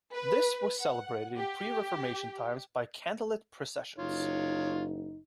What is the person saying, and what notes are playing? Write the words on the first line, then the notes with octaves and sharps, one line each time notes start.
This was celebrated in pre-Reformation times by candlelit processions.
B4
F#5
G4
F#1 D#4 F4 C#5